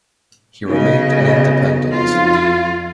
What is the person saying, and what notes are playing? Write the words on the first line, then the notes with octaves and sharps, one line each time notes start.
He remained an independent.
B1 C#3 D#5
F2 F4